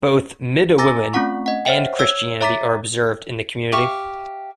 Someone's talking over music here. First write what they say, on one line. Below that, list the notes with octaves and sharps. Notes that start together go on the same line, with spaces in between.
Both Midewiwin and Christianity are observed in the community.
G#5 A#5 D6 E6 A6 A#6
A3 C4 C#4 F4 F#5 C#6
D#5 F#5
C5 C#5 E5 F#5 G5
C#5 E6 G#6
C#5 E5 A#5 D6 A6 B6
G4 E5 F5 C#6